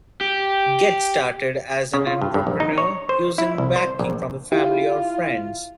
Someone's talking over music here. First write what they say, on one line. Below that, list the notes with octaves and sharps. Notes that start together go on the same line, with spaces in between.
Get started as an entrepreneur using backing from family or friends.
G4
C#3
F4
G2
G2
A#1
D#4
C#5
C5
E4
C2
C5
A#1
E4 F4 G4